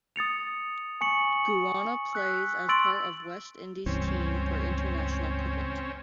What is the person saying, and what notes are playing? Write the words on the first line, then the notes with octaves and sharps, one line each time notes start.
Guyana plays as part of West Indies team for international cricket.
D#6 A6 C#7 F7
G#5 C#6 C#7 F#7
E6 F#6 B6
C6 C#6 E6 A6 D7 F#7
C#2 G2 E3 C4 C#4